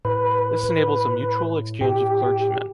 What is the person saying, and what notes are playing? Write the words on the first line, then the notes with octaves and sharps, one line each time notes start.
This enables a mutual exchange of clergymen.
A2 B4
A2 G4